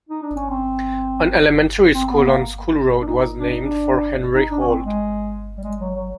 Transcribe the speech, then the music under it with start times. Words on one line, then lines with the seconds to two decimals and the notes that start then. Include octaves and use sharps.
An elementary school on School Road was named for Henry Holt.
0.09 D#4
0.23 D4
0.36 C#4
0.50 C4
1.95 C4
2.11 B3
2.26 A#3
3.02 D4
3.06 D#4
3.39 D4
3.50 D#4
3.63 D4
4.35 D#4
4.51 D4
4.60 C#4
4.68 C4
4.84 G#3
5.58 G3
5.64 G#3
5.80 F#3
5.96 F#3